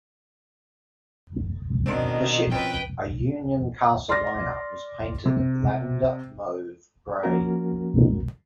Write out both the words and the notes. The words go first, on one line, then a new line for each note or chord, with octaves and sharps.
The ship, a Union-Castle liner, was painted lavender mauve grey.
B2 D#3 C4 D4 D7
F3 C4 C#4 B4 G5
D5 C6 D6 F6 A6 A#6
C3
F3 A#3 C#4 F#4 A#4